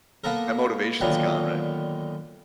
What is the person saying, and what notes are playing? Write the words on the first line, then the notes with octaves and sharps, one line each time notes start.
that motivation is gone, right?
A#3 B3 A4 A#4
A#2 D3 D#3 F#3 B3